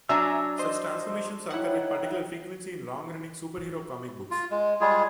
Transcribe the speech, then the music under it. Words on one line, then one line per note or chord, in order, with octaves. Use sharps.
Such transformations occur with particular frequency in long-running superhero comic books.
F#3 D4 E5 G#5 A#5 E6
C5 D#5
D#4 E4 C#5 F#5 G5
F4
G#3
G3 G#3 F4 G#4